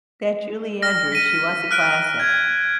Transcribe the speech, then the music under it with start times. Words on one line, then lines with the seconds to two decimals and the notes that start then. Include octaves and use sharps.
That Julie Andrews, she was a classic.
0.82 F6 A#6
1.12 B6 D#7
1.71 F6 F#6 D7
2.20 G#6